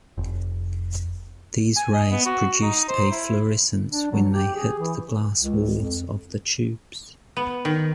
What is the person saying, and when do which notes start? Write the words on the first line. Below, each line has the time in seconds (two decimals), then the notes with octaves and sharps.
These rays produced a fluorescence when they hit the glass walls of the tubes.
0.18 F1
1.76 G#5
1.94 D#5
2.11 B3
2.26 F#4
2.62 D#4
2.89 C5
3.11 E4
3.90 D4
4.11 F#3
4.27 G4
4.56 G#4
4.79 E3
5.41 C#2
5.79 F2
7.37 B3
7.65 D#3